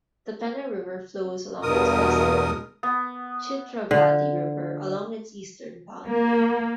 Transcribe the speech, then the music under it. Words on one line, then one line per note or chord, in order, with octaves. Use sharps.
The Penner River flows along its western and Chitravati river along its eastern boundary.
E2 G2 B2 A#4 D#6
B3
D3
A#3